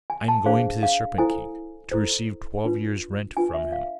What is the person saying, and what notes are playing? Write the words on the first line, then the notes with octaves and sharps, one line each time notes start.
'I am going to the Serpent King to receive twelve years' rent from him.'
G#5
A5
D4 G#4 C5 F5
F5
E4 A4 C5 G#5
E4 A4 C5
D4 F4 B4
D4 F4 B4 G#5
E5
F5